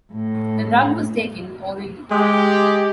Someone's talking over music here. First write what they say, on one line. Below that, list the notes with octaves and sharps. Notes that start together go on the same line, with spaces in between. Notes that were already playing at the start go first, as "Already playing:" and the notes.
The drug was taken orally.
A2
G#3 G4